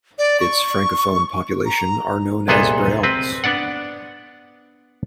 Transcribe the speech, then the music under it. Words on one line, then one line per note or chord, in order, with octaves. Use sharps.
Its Francophone population are known as Brayons.
D5
C#6
A#5
C2 A#2 B3 G#4 A4 D#5
C4 B4
B3 D4 D5 F#5